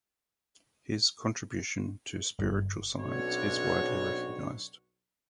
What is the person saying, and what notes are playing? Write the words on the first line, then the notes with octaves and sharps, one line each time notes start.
His contribution to spiritual science is widely recognised.
G1
B1 B2 C4 D4 F#4 C#5